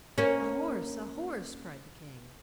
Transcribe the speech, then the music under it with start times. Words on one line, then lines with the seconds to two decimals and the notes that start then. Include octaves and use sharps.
'A horse! a horse!' cried the king.
0.18 A#3 C#4